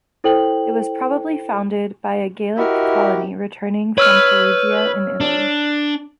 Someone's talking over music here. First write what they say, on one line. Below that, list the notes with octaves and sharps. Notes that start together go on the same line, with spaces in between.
It was probably founded by a Gallic colony returning from Perugia in Italy.
E4 A4 C5 G5 F#7
E4 F#4 G4 A#4 D#5 E5
B4 C#5 E6 F6
D4